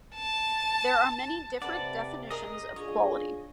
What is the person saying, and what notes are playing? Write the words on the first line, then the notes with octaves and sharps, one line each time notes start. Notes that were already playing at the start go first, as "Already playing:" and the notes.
There are many different definitions of quality.
A5
C3 A4 B4 D5 F#5
G#4 A#4 D#5 D#6
D4 F4 G#4 C#5